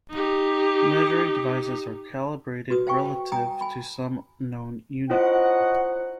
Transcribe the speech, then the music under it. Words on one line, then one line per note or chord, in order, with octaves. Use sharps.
Measuring devices are calibrated relative to some known unit.
D#4 G4
F#4 B4 D#6
C5 F5 G5 G#5 C#6
G5 G#5 A#5 D#6
G#5 B5
C#4 E4 F4 C5 D#5 F#5